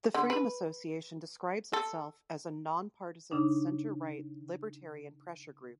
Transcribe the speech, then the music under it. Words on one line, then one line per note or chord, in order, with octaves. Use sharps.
The Freedom Association describes itself as "a non-partisan, centre-right, libertarian pressure group".
D3
B4
A4
C#3 D4 D#4